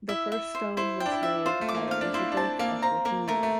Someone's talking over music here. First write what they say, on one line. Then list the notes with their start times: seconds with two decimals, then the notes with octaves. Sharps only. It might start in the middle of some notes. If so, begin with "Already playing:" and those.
The first stone was laid by Elizabeth of Bohemia.
0.09 E4 E5
0.32 E5
0.55 C5
0.77 E4 C5
1.00 G5
1.06 D4
1.12 E4
1.23 E5
1.46 F4 C5
1.61 A3
1.69 D6
1.75 A#3
1.88 C4 F5
2.01 D4
2.14 E4 C5
2.32 D4
2.36 C4 A5
2.59 A#3 F5
2.82 C4 A#5
3.05 A#3 A#4
3.28 A3 A#4
3.43 A3